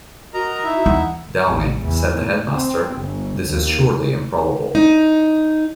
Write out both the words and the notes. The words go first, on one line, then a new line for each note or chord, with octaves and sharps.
Downing," said the headmaster, "this is surely improbable.
F#4 A#4 D#5 A#5
D#4 E4 E5
E2 F#5
A1
E2
A2
C4
G1
D#2
D#4